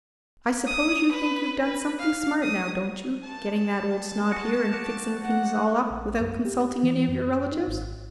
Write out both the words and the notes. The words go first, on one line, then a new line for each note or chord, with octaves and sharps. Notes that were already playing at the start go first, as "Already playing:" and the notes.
"I suppose you think you've done something smart now, don't you, getting that old snob here and fixing things all up without consulting any of your relatives?"
D#6
B4
B4
F5
D#6
G2 A5
F#4
F3 D4 F#4
F#5
A#1
F#2
G4
E3
F#2
D#4
G#1